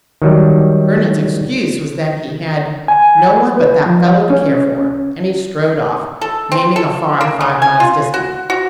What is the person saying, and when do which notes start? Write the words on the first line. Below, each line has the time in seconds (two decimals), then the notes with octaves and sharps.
Vernon's excuse was that he had "no one but that fellow to care for", and he strode off, naming a farm five miles distant.
0.22 D#3 F#3 G3
2.88 G#5
3.58 B4
3.86 F3
4.30 C#4
6.21 A4
6.52 C4
6.76 A4
7.21 A#3
7.41 D3
7.62 G#5
7.80 F4
8.14 F#4
8.50 F#4